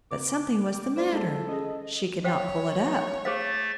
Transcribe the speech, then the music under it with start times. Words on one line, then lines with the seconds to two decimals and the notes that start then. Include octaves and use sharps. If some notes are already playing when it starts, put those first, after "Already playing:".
But something was the matter; she could not pull it up.
0.11 C#3 C4 D6
0.96 A#3 E4 C5 D5
1.12 G#3 A4
1.48 C#4 G#4 D#5
2.24 C5 C#5 F5 G5
3.25 A3 G#4 C5 F5 A6